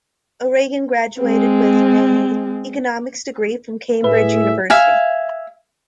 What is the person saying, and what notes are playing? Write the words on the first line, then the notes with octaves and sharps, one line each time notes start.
O'Regan graduated with an economics degree from Cambridge University.
G#3 C4
A2 G#4 B4 E5
E5 F5 G#5